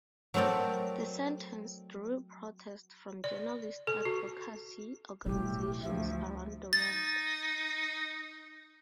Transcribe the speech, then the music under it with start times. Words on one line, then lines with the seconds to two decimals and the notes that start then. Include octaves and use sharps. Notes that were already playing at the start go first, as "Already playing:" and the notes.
The sentence drew protest from journalist advocacy organizations around the world.
0.34 F#3 A3 C4 A#4 D5
3.24 D5
3.87 A4
4.05 F#4
5.26 B1 A2 G3 E4 G4
5.82 D2 F3 E5
6.73 D#4 A6